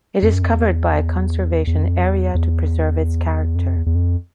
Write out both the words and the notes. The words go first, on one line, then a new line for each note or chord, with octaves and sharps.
It is covered by a conservation area to preserve its character.
F2
F#2
F2
E2
E2
F2
E2
E2
F2
E2
E2
F2